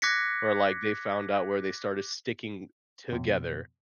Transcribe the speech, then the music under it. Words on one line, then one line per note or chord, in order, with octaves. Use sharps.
where, like, they found out where they started sticking together
D6 F#6 G#6 A#6 B6 C#7
F2 B2